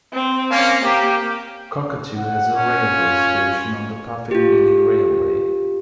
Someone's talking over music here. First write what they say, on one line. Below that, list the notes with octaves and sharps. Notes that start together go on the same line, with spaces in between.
Cockatoo has a railway station on the Puffing Billy Railway.
C4
A#3 C#4
A#3 G4
F#5
C#4
F4
F4 G4